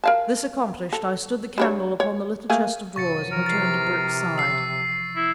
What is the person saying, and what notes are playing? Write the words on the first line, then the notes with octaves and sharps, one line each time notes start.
This accomplished, I stood the candle upon the little chest-of-drawers and returned to Burke's side.
A#4 F5 A5
A4
G3 D4 C#5
C#5
A3 A#3 G#4
F#2 C3 C#6 A6 C#7
E3 F3 A#4
C3 A6 C7
E6 C7
E4